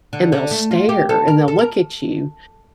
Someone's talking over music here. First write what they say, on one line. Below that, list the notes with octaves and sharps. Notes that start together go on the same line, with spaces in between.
and they'll stare, and they'll look at you.
D3
D3
A3
F4
G4
A4
A#4
A4
A#4